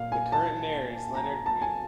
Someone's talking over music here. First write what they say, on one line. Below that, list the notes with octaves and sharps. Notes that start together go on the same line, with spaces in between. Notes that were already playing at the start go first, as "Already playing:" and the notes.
The current mayor is Leonard Reed.
Already playing: A#2 A#3 F5
G#5
A5
A#5
A5
G#5